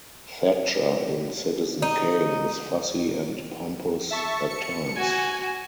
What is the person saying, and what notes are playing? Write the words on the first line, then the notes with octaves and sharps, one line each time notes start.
Thatcher in "Citizen Kane" is fussy and pompous at times.
D#4
E5 A5 C#6
C#7
F#4 G#5